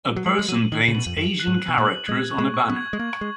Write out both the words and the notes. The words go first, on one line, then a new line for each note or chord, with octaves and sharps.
A person paints Asian characters on a banner.
F#3
G#3 F#7
G#3
F#3 D#7
D#3 F#7
C#3
B2 F#7
F2
F#2 F#7
F#6
G#2
F#7
B2
A#2
F#7
G#3 G#6
C#6
G#3
C#6
B3
G#6
G#3
A#3 G#6
G#3